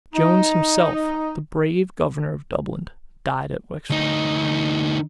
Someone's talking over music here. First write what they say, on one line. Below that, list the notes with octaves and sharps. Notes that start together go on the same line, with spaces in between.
Jones himself, the brave governor of Dublin, died at Wexford.
D#4
D2 D#4